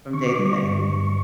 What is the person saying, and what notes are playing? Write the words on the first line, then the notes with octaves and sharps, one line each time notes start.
from day to day.
D3 C#6
D6
G3 C#6
G2
G2